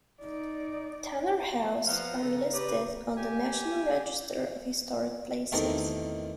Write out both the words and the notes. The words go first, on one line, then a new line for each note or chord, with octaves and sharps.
Tanner House are listed on the National Register of Historic Places.
D#4 D5
F3 B3 C5 F5 F#5 A#5
C#3 A4
G4 B4 D5
G4 G#5
A1 E2 D#3 C4 A4 A#4